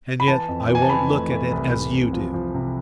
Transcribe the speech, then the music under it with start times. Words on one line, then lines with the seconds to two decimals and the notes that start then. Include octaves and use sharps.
And yet I won't look at it as you do.
0.20 B5
0.28 E3 A5
0.48 F2
0.69 E3
0.75 G#5
0.82 A5
0.90 F2 B5
1.10 A3
1.31 E3
1.51 C2
1.73 C2
1.93 C3
2.13 F3
2.34 F3
2.54 C3